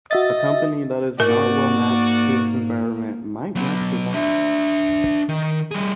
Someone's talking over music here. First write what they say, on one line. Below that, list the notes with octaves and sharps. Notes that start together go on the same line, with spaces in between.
A company that is not well matched to its environment might not survive.
F#4 D#5 E5 A6
G#2 A#3 F#4 A#4 D5
F#3 B3
D4 E5
D#3
G3 G#4